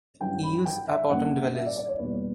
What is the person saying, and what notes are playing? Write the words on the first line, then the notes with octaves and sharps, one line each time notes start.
Eels are bottom dwellers.
G2 D3 F#3 C#4 E4 G5
B5
G5
E5
F#2 D3 A#3 F#5
E5
D5
D5
C#5
E2 B2 G3 A#3 B4